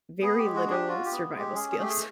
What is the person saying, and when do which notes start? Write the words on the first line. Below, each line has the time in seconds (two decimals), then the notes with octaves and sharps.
very little survival skills.
0.22 B3 G#4
0.38 G4
0.44 G#3
0.55 F#4
0.66 D4 G#4
0.72 G4
0.88 F4 F#4
1.05 G4
1.11 B3
1.33 G#3
1.38 G4
1.55 C#4 G#4
1.72 G#4
1.78 A3 G4
1.89 G#4